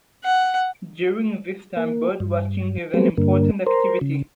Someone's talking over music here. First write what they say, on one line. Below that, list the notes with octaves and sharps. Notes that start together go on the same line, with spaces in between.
During this time bird watching is an important activity.
F#5
A#3
G2
F#3 G3 A3 B3 C4
G2 D3 A#3
A#4 C5
C#3